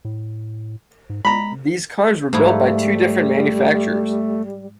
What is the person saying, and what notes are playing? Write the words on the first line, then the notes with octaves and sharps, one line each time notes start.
These cars were built by two different manufacturers.
A2
G#2
G#3 A#5 B5
G#2 F3 G3 A3 E4